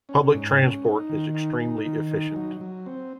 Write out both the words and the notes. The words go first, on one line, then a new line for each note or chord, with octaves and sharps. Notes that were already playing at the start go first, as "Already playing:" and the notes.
Public transport is extremely efficient.
C#4
G#2
C#4
D#4
D#3
D#4
D#4
D#3
D#4
F#3
F#3
C4